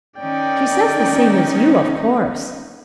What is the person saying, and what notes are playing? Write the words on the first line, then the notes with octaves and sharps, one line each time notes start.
"She says the same as you, of course."
D#3 C#4 D#4 D5 G5